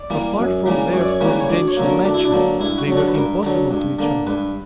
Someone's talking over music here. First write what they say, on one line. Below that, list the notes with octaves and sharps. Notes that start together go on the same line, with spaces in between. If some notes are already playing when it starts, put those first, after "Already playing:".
Apart from their providential matching, they were impossible to each other.
Already playing: D5
E3 G3 A#3
F#2
C#3 E3 G3 A#3
F#2 C#5
D5
C#5
C#3 E3 G3 A#3
B4
C#5
D2 D5
C#5
D3 F#3 A#3
A#4
D2 D4
E4
D4
D3 F#3 A#3
G2 E4
F#4
D3 F#3
F#4
B4
G2 A#4
D3 F#3
G2
D3 A#3
G2 B4